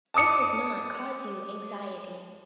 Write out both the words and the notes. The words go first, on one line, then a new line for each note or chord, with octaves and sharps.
It does not cause you anxiety.
A5 D6 D#6 C#7